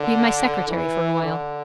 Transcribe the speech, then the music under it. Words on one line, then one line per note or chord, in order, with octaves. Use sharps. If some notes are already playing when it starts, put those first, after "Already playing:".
Be my secretary for a while.'
Already playing: D3
E3
D3